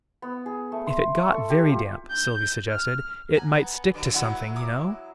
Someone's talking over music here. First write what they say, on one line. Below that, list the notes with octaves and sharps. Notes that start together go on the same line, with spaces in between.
"If it got very damp," Sylvie suggested, "it might stick to something, you know."
B3
G#4
A3
C6
C#6
A4
G4
F4
G6
F6
F#5 G#5 A#5
B3
G2 D3 F#3
F#3 G#3 E4 F#5
D6 D#6